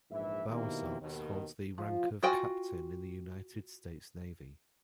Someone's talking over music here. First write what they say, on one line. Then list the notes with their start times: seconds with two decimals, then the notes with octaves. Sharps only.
Bowersox holds the rank of Captain in the United States Navy.
0.11 A#1 G#2 E3 E4 E5
0.49 B2 D#3 A#3 C4 E4 G4
1.00 D#2 B2 D#3
1.78 F3
2.23 F4 F#4 G5 G#5